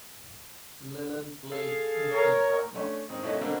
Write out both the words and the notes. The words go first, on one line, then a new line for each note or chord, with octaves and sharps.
Lennon played Instant Karma!
G#4 A4 F5
A#4 C#5
A3 C#4 D4
G#2 D#3 C4
G#1 B2 C#4 D#4 E4 A4
B2 D3 A#3 C4 A4 A#4